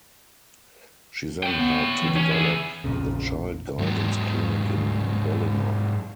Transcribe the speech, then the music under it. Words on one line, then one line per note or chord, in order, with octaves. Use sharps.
She then helped to develop the Child Guidance Clinic in Ballymun.
C#5 G5
B3
E3
C#4
E4 G#4
A#1 F2 A#2 C#3
G#2 F#3